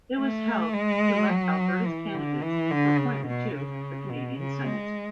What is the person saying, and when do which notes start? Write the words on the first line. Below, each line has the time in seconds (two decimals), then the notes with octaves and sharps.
It was held to elect Alberta's candidates for appointment to the Canadian Senate.
0.18 A3
0.74 G#3
1.29 F#3
1.86 E3
2.14 D3
2.43 E3
2.71 D3
2.98 C#3
3.27 B2
3.55 C#3
4.10 B2
4.39 C#3
4.66 G#3